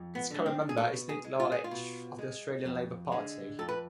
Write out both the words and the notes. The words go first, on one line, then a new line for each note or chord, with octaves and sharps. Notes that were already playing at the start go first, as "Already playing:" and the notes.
Its current member is Nick Lalich of the Australian Labor Party.
Already playing: F2
B3
D3 A3
C4
G#4
B2 A4
G#4
G#3
F4
G#4
F4
B2
G#3
F2
D3 G#3
F2 A4
B4